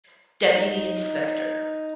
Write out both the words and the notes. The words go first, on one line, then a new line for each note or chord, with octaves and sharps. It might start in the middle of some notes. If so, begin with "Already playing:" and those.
Deputy Inspector.
D#4